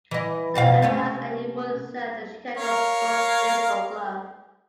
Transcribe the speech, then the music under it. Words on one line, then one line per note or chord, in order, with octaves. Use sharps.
Zell announced that he would sell the Chicago Cubs baseball club.
E3 D#5
F2 B2 F5
C3 A3 C#4
A#4 C#5 F5